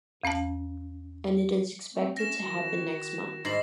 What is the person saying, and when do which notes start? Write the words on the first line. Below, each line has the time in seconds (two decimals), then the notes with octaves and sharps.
And it is expected to happen next month.
0.23 E2 C#4 F5 A5
1.93 A3 C4
2.17 A3 C#4 A#6 E7
2.41 D#3 E4 F#4
3.45 G#2 D#3 G3 A#6 C7 F#7